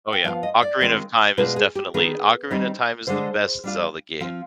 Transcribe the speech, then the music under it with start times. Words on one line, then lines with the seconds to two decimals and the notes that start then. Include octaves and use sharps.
Oh, yeah, Ocarina of Time is definitely Ocarina of Time is the best Zelda game.
0.13 G5
0.24 F3 B3 F4 F5
0.43 D#5
0.62 D5
0.81 D#3 G#3 C4 F4
1.37 B2 G#3 D4 F4 B4
1.56 G#4
1.75 G4
1.94 D#3 B3 D#4 G#4
2.51 D#3 G3 C4 D#4
3.07 D3 G#3 D4 C5
3.64 G3 D4 F4
4.20 F3 C4 F4